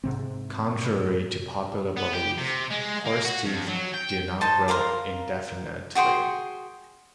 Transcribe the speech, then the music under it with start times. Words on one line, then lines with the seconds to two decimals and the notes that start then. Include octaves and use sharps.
Contrary to popular belief, horse teeth do not "grow" indefinitely.
0.04 G#2 C3 C4
1.97 B3
2.13 G4
2.38 C3
2.70 G#3
3.05 A#3
3.25 F#4
3.46 F2
3.68 F#3
3.94 G5
4.41 D#4 C5 A5
4.68 A#4 F5 A#5 C6
5.95 F#4 G#4 G5 C6